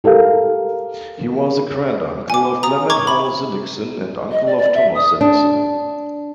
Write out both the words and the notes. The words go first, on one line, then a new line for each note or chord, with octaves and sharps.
He was the granduncle of Clement Hall Sinnickson and uncle of Thomas Sinnickson.
G4 A4 A#4 F5
G#5 D6
A#5 D#6
A#5 C#6 D6 G#6
B5 F#7
D#5
D5
D5
E5
D#6
D4